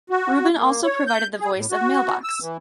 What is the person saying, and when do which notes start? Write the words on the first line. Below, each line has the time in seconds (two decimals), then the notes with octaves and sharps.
Rubin also provided the voice of Mailbox.
0.10 F#4
0.56 A#3
0.84 C#5
1.07 G6
1.40 G#4
1.56 A2
1.71 F#4
2.23 E6
2.41 E3